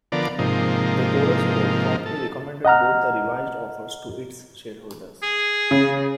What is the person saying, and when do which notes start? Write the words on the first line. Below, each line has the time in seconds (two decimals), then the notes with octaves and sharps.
The Corus board promptly recommended both the revised offers to its shareholders.
0.12 D3 F3 B3 A#4 D5
0.39 G#2 C3 F3 A#3 D#4
2.06 A4
2.65 D#5 F#5 A#5 F6
5.23 G#4
5.71 C#3